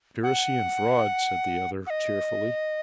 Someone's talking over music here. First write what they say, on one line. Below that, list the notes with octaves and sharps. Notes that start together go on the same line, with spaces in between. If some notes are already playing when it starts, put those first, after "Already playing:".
"Conspiracy and fraud," said the other cheerfully.
F#5
F#5
D#5